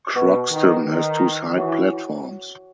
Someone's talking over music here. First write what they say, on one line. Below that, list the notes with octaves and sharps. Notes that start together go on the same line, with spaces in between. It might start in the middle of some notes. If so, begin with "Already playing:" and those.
Croxton has two side platforms.
B2 B4 F#5 C#6
D#3
D#3
E3 F#4 C#5 F#5 C#6